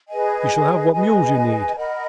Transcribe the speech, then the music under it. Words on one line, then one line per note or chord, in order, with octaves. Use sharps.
You shall have what mules you need.
G#4 B4 D#5 G#5
G#4 B4 D#5 G#5
A#4 D#5 F#5 B5